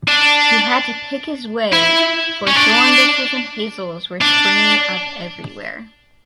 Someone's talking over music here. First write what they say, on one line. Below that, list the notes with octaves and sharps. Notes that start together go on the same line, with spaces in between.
He had to pick his way, for thornbushes and hazels were springing up everywhere.
D4
E4
C#4
D4
D4